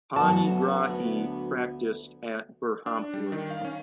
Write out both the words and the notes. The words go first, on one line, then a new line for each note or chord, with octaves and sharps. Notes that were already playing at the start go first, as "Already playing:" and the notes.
Panigrahi practiced at Berhampur.
D2 F#3 B3 F#4 A5
D4
G3
D#3
F5
C#4